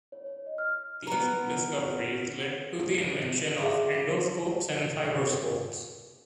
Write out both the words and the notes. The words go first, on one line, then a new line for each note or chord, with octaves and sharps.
These discoveries led to the invention of endoscopes and fiberscopes.
C#5
C#5
D#5
F6
B3 A#4
G#4 E5 F5